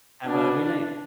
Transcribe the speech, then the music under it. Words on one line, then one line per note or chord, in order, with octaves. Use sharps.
Have a great night.
B2 D4